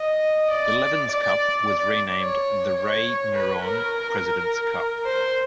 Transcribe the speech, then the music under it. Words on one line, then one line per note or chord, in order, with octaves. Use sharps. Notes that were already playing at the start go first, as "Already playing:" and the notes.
The Levins Cup was renamed the Ray Miron President's Cup.
Already playing: D#5
D5
D5
D5
C#5
C#5
B4
A#4
C5